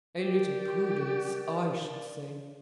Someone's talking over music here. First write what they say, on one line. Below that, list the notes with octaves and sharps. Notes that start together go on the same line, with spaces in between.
"A little prudence I should say."
G4 A#4 D5